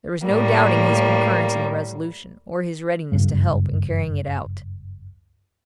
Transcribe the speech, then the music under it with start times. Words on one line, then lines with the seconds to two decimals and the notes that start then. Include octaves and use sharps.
There was no doubting his concurrence in the resolution, or his readiness to help in carrying it out.
0.25 A2 G3 A#3
3.12 F#1 C#2 G2